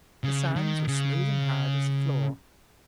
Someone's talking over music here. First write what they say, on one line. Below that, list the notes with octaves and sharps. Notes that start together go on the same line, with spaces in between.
The sands were smooth and hard as a floor.
C#3
D#3
C#3